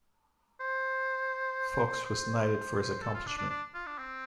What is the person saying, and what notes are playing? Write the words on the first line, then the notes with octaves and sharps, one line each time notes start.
Fuchs was knighted for his accomplishment.
C5
C5
A4
F4
D4
D4
D4
F4
D4
C4